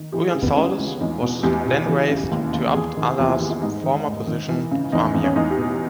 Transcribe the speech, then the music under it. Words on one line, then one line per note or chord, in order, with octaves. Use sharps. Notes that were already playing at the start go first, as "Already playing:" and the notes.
Buyan Suldus was then raised to 'Abd Allah's former position of amir.
Already playing: D#3
E3 G4
G#4
C#3
B3
C#2 C#4
C#2
E2 D#4
B2
E2 G4
B2
E3
C#3
D#2
D#2
E2 G#4
D#3
E2 G4
E4
D#3 G4
E4
G#2 D#4
D#3
G#2
D#3
E3
C#3
E2 D#4
E2
C#4
E2 D#4
G4
B2